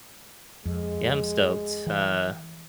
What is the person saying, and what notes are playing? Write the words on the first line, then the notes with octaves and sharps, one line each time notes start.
Yeah, I'm stoked. Uh.
F2 G#3
E3